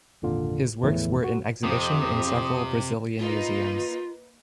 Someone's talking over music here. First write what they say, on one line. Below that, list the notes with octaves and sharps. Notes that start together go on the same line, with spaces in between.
His works are in exhibition in several Brazilian museums.
G#1 F2 A#2 D3 F4
G1 E2 A2 E3 F3 A3
F#4
F2 C3 D6 D#6
A#3 D#4 F4 B4